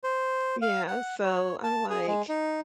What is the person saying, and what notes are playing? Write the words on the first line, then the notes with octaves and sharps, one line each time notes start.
yeah, so I'm like,
C5
F5
F#5
C#5
A5
G#4
G#3
D#4